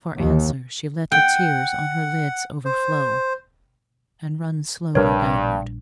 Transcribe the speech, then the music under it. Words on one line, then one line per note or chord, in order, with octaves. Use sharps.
For answer, she let the tears on her lids overflow and run slowly downward.
D#2
F#5 G5
C5
A#1 G2 G3 D4 A#4 B4 C#5